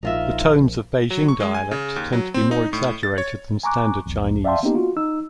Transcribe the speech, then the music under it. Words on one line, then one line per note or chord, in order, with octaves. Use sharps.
The tones of Beijing dialect tend to be more exaggerated than Standard Chinese.
A#1 D#4 F4 E5
F#3
C#6
G#3
G#5
C#3
D#2
F#3
C4
D#4
A2
A6
C#5
G#5 A#5 C#6 D6 F#6
A#1 E2
D5 E5 F5 G5 A5 C6
A#3 B3 C#4 D#4 G4
F4 F#4
D#4 E6